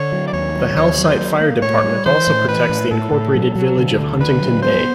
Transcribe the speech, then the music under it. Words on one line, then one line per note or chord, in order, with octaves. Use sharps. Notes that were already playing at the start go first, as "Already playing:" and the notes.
The Halesite Fire Department also protects the incorporated village of Huntington Bay.
Already playing: D3 C#5
F#3
D5
D#2 C#5
F#3
D#2 C#5
F#3
C5
A#3
A#3
A2 C#5
G3
E3 C5
A2
E3 B4
A2
A2 A4
A2
F#3
F#3
D3
D2
D3 B4
F#3
B3 C5